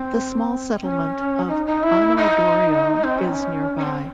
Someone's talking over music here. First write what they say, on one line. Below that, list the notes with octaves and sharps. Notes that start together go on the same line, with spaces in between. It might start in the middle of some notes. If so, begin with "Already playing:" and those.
The small settlement of Ano Dorio is nearby.
Already playing: C4
C#4
D#4
D#4
E4
D#4
C4
C#4
C#4
C4